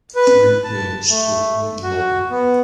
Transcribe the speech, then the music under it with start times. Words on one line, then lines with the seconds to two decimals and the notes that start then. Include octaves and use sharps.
Three girls talking in a lobby.
0.15 B4
0.64 A5
1.10 A3
1.83 F#4
2.30 B3